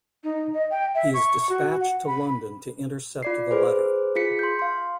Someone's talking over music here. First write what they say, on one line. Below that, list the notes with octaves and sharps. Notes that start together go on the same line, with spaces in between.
He is dispatched to London to intercept the letter.
D#4
D#5
G5
E5
C#6
F#4
F#5
B5
F4 D5 C7
G#4 B4 C5
F4 G#4 B6 C#7
C6 G6
F5 C6